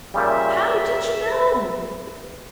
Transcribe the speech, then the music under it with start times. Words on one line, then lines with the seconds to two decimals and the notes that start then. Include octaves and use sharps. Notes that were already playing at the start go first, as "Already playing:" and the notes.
"How did you know?"
0.14 A#2 C#3 G3 E5